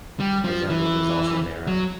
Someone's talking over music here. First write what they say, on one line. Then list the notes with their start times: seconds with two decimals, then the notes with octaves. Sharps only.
His emblem is also an arrow.
0.20 G3
0.45 F3
0.70 E3
1.67 F#3